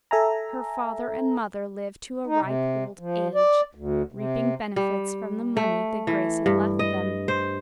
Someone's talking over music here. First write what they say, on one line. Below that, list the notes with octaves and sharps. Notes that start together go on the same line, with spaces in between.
Her father and mother lived to a ripe old age, reaping benefits from the money that Grace had left them.
A4 E5 G#5 A#5
D#4
C3
F3
D5
D2
C3
G3
A3
E3
G2
D#5
C5